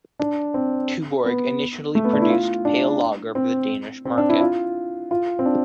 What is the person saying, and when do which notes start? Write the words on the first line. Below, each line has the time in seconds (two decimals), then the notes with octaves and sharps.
Tuborg initially produced pale lager for the Danish market.
0.20 D4
0.54 C4
1.25 B3
1.95 A3
2.04 B3
2.13 D4
2.22 E4
2.30 F4
2.65 D4
3.35 C4
4.05 C4
4.18 D4
4.29 E4
4.40 F4
5.11 F4
5.39 C4
5.46 D4